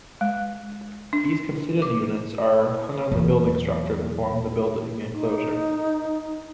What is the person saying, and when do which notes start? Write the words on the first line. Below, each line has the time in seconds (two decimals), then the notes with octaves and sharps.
These completed units are hung on the building structure to form the building enclosure.
0.21 G#3
1.13 D4
1.82 D6
3.12 E2 F#3
5.13 D#4